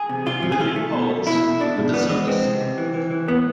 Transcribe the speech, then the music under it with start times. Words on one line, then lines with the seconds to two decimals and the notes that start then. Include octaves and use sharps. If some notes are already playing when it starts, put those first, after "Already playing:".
William Faulds, with the service.
Already playing: G#4
0.09 C3
0.26 C3 F4
0.42 F3
0.52 G#4
0.60 A3 F4
0.76 A3
0.93 B2
1.09 A3
1.27 B2 E4
1.43 B2
1.60 B2 D4
1.77 B2
1.93 E3 B3
2.10 G#3
2.27 G#3 C4
2.44 C3
2.61 C3
2.78 E3
2.94 E3
3.11 E3
3.28 A2 B3